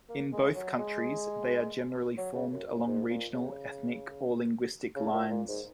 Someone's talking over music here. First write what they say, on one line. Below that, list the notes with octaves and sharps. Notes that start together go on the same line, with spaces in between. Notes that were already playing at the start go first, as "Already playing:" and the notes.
In both countries they are generally formed along regional, ethnic or linguistic lines.
A#3
G#3
F#3
G#3
F#3
C#3
F#2
F#2
G#2
A#2
C#3
C#3
A#2
A#2
G#2